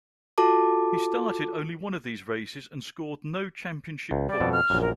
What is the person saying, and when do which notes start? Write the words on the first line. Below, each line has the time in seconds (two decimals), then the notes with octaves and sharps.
He started only one of these races, and scored no championship points.
0.38 F4 F#4 A4 A5 D6
4.11 C#2
4.29 G3 D5
4.40 F2 B2 A4
4.52 F6
4.70 A#1 F#2
4.81 A#4